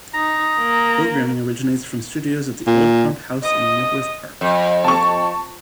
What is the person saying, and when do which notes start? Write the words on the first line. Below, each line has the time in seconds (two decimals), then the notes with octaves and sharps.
Programming originates from studios at the Old Pump House in Knebworth Park.
0.14 D#4 A#5 D#6
0.60 A#3
2.67 A#2
3.43 D#5 D#6
4.41 F2
4.84 A5 C#6